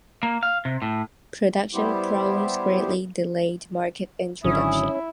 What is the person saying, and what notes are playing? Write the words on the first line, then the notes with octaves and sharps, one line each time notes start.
Production problems greatly delayed market introduction.
A#3
F5
C3
A2
G3 B3 E4 G4 C5
G#1 D3 F#3 C#4 E4 D#6